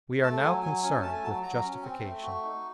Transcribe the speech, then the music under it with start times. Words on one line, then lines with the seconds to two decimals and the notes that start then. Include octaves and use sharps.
We are now concerned with justification.
0.23 A3 A5
0.42 F#3 G#5
0.63 F#3 G#5
0.83 C#4 G#5
1.02 A3 A5
1.13 G#5
1.23 F#3 A5
1.43 F#3 A#5
1.63 C#4
1.82 C4
2.02 A3
2.22 F#4
2.43 D#4